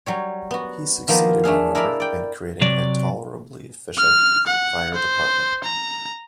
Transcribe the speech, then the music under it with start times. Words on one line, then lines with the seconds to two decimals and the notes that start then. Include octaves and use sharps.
He succeeded, however, in creating a tolerably efficient fire department.
0.06 F#3 G3 C#5
0.51 B3 F#4
1.08 D#3 F3 A#3 B3
1.44 A3 D4 G#4 F5
1.75 E4 A#4 D5 D#5 F5 B5
2.00 D5 G5
2.61 C3 F#3 D5
3.97 F6
4.47 F#5
4.94 C5
5.64 A#5